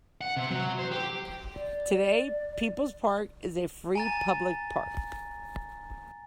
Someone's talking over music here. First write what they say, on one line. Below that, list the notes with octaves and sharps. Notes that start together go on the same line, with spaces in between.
Today, People's Park is a free public park.
F#5
C3
F#3
C5
G4
D5
G#5 A#5 A6